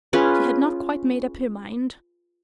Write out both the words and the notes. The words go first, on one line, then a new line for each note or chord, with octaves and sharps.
She had not quite made up her mind.
C#4 F4 G#4 B4